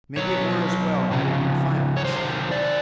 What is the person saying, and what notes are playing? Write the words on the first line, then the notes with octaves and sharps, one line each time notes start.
"Maybe it were as well had it been final," I said.
B2 F#3 C#5
C#3 F3
C#5
C3 D#3 F#3 C5
D5